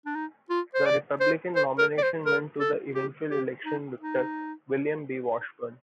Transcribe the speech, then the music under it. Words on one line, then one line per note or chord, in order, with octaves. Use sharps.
The Republican nomination went to the eventual election victor, William B. Washburn.
D4
D#4
F4
C5
D5
C5
C5
A#4
D5
C5
A#4
A4
G4
G4
D#4
D#4